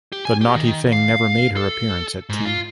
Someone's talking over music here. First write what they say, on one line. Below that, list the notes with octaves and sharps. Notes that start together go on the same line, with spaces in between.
The naughty thing never made her appearance at tea.
G4
G#5
G4
D#3
F5
A4
G#2
F4